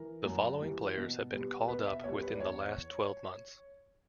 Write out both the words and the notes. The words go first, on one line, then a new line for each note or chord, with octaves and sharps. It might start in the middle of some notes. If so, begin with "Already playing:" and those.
The following players have been called up within the last twelve months.
Already playing: E3 A#4
F#2
E3 G3
B2
G3 B3
B2 B4
E5
G3 B3 C#5
B4
D5
E2 C#5